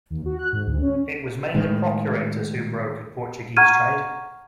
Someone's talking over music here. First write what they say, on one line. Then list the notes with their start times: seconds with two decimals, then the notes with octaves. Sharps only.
It was mainly procurators who brokered Portuguese trade.
0.10 D#2
0.26 F#4
0.39 F#6
0.53 G#2
0.66 D2
0.82 C#4
1.54 A2 D#3 G#3
3.57 F#5 A#5 C#6 F6 G#6 D#7